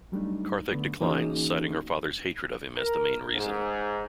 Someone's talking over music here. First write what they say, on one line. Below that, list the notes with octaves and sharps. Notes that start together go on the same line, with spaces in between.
Karthik declines, citing her father's hatred of him as the main reason.
F#3 G3 A3 D4 D#4
D3 A3 B3
E3 A#3 C#4 D#4 F#4 G#4
A#4
G#2